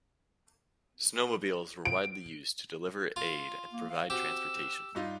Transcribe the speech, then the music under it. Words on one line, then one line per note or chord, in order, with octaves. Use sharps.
Snowmobiles were widely used to deliver aid and provide transportation.
D7
F4
C6
A#3
F5
C4 F#4 G4 E6
G2 D#4 F4